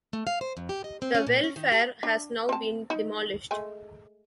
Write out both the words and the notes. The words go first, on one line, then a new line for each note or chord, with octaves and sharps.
The welfare has now been demolished.
A3
F5
C5
F2
G4
D#5
C4
C#4
A#2
C#4
D#3
G4
D4
C4 A5
D#4
G#3 A3 G#5